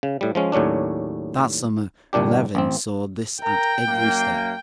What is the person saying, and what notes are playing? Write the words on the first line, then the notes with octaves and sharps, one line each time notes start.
That summer Levin saw this at every step.
C#3
A2 G3
F3 G#3 C#4
D#2 A2 F#3 C#4 D4
G1 C2 A#2 D4 G4
A1 C4
A#4 G5 A#5
F#2 A#3